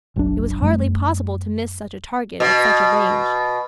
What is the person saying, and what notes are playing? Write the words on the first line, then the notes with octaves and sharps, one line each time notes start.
It was hardly possible to miss such a target at such a range.
F#1 B1 F#3 D4
F#2 G3 A3
B2